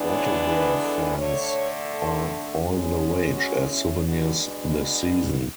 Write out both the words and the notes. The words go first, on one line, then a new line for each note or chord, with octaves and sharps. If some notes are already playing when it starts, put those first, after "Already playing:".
Autograph fans are all the rage as souvenirs this season.
Already playing: E3 G#3 B3 D4
C#5
B4
A4
D3 A3 D4 C#5
A4
B2 G#3 C#4
G#4
F#4
E4
B2 G#3 B3 D4 F#4